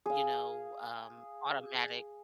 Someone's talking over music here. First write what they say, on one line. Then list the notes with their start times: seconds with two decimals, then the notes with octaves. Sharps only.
you know, um, automatic
0.06 G#4 F5